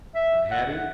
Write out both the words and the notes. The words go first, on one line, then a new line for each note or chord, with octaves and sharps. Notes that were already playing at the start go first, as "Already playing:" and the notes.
And Hattie?
E5
F#5